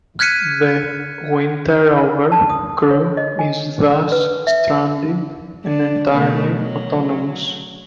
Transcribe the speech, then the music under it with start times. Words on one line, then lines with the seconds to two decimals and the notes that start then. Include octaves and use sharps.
The "winterover" crew is thus stranded and entirely autonomous.
0.19 F6 F#6 G#6 B6 C#7 D#7
2.32 A5
2.49 D#6
2.91 C#5
3.17 D#5
3.39 G#5
4.12 B4
4.47 E5
5.65 D4
6.13 B2 D#3 A3
6.53 F#3